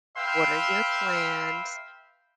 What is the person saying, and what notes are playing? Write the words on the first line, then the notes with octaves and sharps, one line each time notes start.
What are your plans?
B4 E5 F5 G5 C6